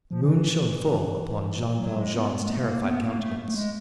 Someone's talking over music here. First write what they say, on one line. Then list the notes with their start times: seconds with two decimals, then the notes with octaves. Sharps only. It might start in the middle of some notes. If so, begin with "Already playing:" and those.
The moon shone full upon Jean Valjean's terrified countenance.
0.11 F3
0.21 E3
1.79 F#3
1.96 G#3
2.14 B3
2.31 B3
2.42 G#3
2.50 A3
2.58 A#3
2.84 B3
3.02 A#3
3.19 A3
3.48 A3
3.54 G#3